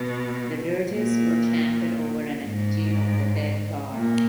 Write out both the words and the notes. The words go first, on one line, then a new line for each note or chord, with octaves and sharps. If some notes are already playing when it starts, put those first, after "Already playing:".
The dirges were chanted over an effigy of the dead god.
Already playing: B2
A#2
G#2
A#2